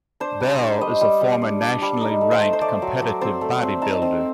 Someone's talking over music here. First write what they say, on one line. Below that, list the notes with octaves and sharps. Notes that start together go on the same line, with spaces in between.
Bell is a former nationally ranked competitive bodybuilder.
D4 C5
G3
D4
G3 D#5
G3
G3
D4
D4
G3
D#4
A3
C5
A3
C5
A3 D5
F#3
F#3
C4 C5
A3
C4
D#4 A5
C4